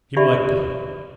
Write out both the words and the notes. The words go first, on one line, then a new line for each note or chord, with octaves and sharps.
Heem like blood.
G4 D5 E5 B5